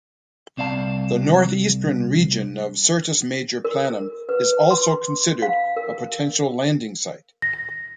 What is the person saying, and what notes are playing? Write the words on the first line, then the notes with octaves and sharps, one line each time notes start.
The northeastern region of Syrtis Major Planum is also considered a potential landing site.
C2 C4 D5 F5 A5
A#4
B4
C6
F5
A#4
A#6